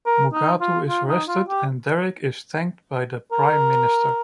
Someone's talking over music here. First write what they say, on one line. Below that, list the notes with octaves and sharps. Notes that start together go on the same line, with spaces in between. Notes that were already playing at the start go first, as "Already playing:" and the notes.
Mugatu is arrested, and Derek is thanked by the Prime Minister.
A#4
D#4
F4
F4
D#4
F4
G4
A#4